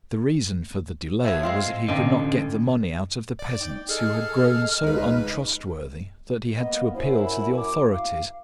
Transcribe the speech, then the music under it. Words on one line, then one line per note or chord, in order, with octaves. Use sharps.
The reason for the delay was that he could not get the money out of the peasants, who had grown so untrustworthy that he had to appeal to the authorities.
A3 B3 C#5
G#3 C4 F4
A1 D3 D#3 F3
D5
D#4 G5
G#4 A4 D#5 F6
C#2 G#3 D#4 B4
A#3 B3 D#5
F#2 E4 C5
B5
D6
F5